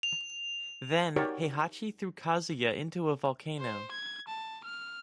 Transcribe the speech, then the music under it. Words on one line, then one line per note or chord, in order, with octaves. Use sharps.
Then, Heihachi threw Kazuya into a volcano.
F7
D#4 F#4 G4 A#4 C#5 D5
C5
G#6
A5
F6